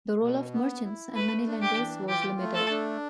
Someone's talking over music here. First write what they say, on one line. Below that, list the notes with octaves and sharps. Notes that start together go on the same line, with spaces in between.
The role of merchants and money-lenders was limited.
B2
B3
E4
A3 B4
D4
G4
E3
F4 G4
A3
A4
D4